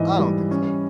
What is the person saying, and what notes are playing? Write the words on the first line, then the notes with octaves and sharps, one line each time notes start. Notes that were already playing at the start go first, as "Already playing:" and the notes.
I don't think so,
Already playing: G#2 E3 A#3 D#5
G3
C#4